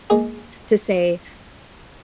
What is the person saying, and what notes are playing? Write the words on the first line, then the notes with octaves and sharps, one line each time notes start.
to say,
G#3 A#3 D#4 G#4